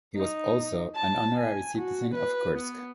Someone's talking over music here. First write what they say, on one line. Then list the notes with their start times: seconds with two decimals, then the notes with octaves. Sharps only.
He was also an Honorary Citizen of Kursk.
0.16 D#4
0.96 A5
1.37 G#5
1.78 F#4
2.15 B4
2.54 B3